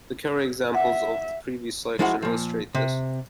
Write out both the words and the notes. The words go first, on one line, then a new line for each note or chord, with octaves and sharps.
The Curry examples of the previous section illustrate this.
E5 F#5
F3 G#3 E4 F#4 F#5
A#2 F3
C3